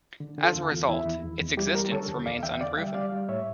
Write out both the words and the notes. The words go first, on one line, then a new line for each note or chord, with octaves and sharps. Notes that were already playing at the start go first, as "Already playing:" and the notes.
As a result, its existence remains unproven.
D3
D3
F4 A4
E2
E2
E2 E4
E2
E2
E2
G3 E4 G4
G3 G4 A#4
D3 A4 C#5
E2
E2 D5 F5
E2 E5 G5
D3 D5 F5
G3 E5 G5
G3 D5 F5
G3
A2 C#5 E5